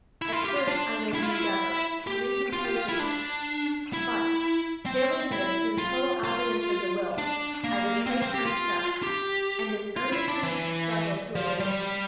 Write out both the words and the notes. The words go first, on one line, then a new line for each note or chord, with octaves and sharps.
At first I made an endeavor to re-compose the patient; but, failing in this through total abeyance of the will, I retraced my steps and as earnestly struggled to awaken him.
E4
F4
G4
F4
D4
E4
F4
E4
G4
F4
G4
F4
E4
D4
E4
C4
E4
F4
F4
D4
A#3
C4
A#3
C4
G4
F4
G4
F4
E4
D4
E3
F3
G3